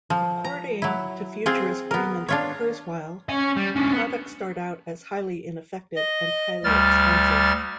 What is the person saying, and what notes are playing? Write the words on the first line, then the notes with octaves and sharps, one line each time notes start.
According to futurist Raymond Kurzweil, products start out as highly ineffective and highly expensive.
F3
A#5
F#3 E4
C4 F4 G#4
B3 A#4
D4 F4 C#5
C#4 G#5
G3
C#4 D4
B3
D#5
D2 G3 F6 A6